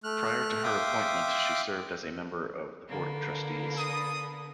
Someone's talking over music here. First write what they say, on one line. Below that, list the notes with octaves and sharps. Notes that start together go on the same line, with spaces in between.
Prior to her appointment, she served as a member of the Board of Trustees.
A3 F6 F#6
E5 F5 G5 C6 D6 D#6
D3 A#3 B3
B5 D#6